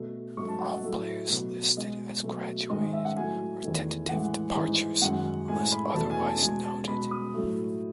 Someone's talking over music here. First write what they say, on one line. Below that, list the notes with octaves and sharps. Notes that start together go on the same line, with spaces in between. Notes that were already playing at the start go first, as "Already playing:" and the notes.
All players listed as "graduated" are tentative departures unless otherwise noted.
Already playing: B2 A3
G#2 F#3 A3 C#6
A5
F#5
D#5
A2 F#3 A3
B2 F#3 A3
B2 G#3 D#5
B2 F#3 A3
G#2 D#3 G#3 D#5
D#5
E5
F#5
A2 F#3 A3 G#5
E2 D#3 A3
A2 E3 G#3 F#5
G#2 E3 G#3
F#2 D#3 G#3 F#5
A2 G#3 G#5
B5
E2 B2 A3 A5
G#5
A5
B2 G#3 G#5
A5
B2 G#3 B5
D#6
A2 F#3 A3